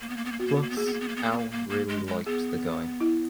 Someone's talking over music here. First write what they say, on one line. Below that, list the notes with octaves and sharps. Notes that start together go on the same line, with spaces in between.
Plus, Al really liked the guy.
A#3
B3
A#3
B3
A#3
B3 F#4
A#3
B3
A#3
B3
A#3 G#4
B3
A#3
B3
A#3
B3
A#3
B3
A#3
A#3
A#3
G#3
G#3
B3 G#4
E4